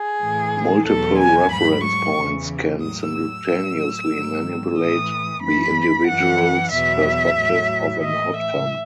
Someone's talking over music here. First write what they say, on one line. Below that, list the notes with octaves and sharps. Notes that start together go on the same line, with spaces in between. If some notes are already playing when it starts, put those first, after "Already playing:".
Multiple reference points can simultaneously manipulate the individuals perspective of an outcome.
Already playing: G#4
A2 E3
E2 B2 F#3 A4
G#5
G#2 F#3 B5
C#6
E2 C#3 E3
A2 F#3 D#6
E6
A2 F#3
G#2 D#3 F#3
A2 E3 D#6
F#2 E3 B5
F#2 E3 F#5
E2 B2 F#3 E5
A2 F#3
A2 E3 D#5
E5